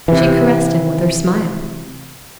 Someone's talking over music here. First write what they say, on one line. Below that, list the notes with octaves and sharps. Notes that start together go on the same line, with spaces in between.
She caressed him with her smile.
C3 E3